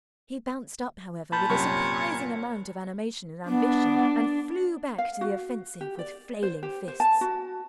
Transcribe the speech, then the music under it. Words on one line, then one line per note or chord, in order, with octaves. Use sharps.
He bounced up, however, with a surprising amount of animation and ambition, and flew back to the offensive with flailing fists.
A#2 A5 B5 G6
F#2 C3 C#5
B3 D4
F5
F#4
G4
D5
C5
G4
C5
A5
F#4